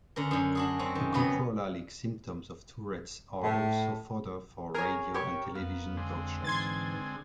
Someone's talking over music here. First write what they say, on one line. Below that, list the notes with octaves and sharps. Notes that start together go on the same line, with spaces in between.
The coprolalic symptoms of Tourette's are also fodder for radio and television talk shows.
D3 C#4 A#4
F#2 D3
D4 F#4 G#4
C4 C#4 F#4
D#3
F2 C#3 F#3 B3 B4 F#5
A2
G#4 A#4 C#5
G4 C#5 C#6
F2 B3 F5
D3 G#3 C4
G#2 E3 C6 G#6 A6